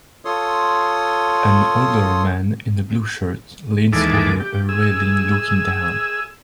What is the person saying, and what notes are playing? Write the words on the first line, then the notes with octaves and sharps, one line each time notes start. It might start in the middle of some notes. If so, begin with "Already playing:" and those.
An older man in a blue shirt leans over a railing looking down.
F4 A4 C#5 C6 D#6
D#2 E3 G#3 A4 D6
G4
G#4 E6